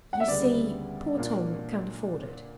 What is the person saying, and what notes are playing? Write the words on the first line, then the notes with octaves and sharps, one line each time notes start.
"You see, poor Tom can't afford it."
F#5
E5
D2 C#3 G3 B3 D5
A#2 A#3 D4